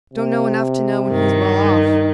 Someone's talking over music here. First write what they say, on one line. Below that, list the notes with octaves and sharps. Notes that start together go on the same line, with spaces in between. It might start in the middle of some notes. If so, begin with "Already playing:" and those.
Don't know enough to know when he's well off.
C3
G2 D#3
D#4